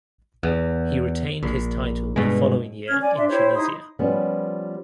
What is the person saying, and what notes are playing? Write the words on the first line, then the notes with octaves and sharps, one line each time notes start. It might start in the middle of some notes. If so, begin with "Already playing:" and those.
He retained his title the following year in Tunisia.
E2
A#1
G2 B2 G#3
C#4 F6 G#6
D5 G#5
D4 E5 C6
E4 G4 C5 C#5
D#4 E4 C6 D#6
F3 G3 B3 C#4